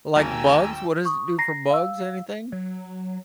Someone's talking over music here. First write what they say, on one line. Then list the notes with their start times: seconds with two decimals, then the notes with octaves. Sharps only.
Like bugs? What does it do for bugs? Anything?
0.16 G#1 D#2 G5 G#5 A#5 E6
1.05 C#6 D#6
1.38 A#5 A#6 C7
1.70 F5 E6
2.52 F#3